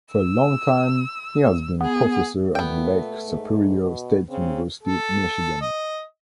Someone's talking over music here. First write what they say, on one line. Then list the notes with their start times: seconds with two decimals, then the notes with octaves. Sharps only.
For a long time he has been a professor at the Lake Superior State University, Michigan.
0.12 E6
1.81 B3 G#4
2.55 A#2 A3 B3 G5
3.25 G#2
3.82 B2
4.29 C#3 C4
4.83 A4
5.62 D#5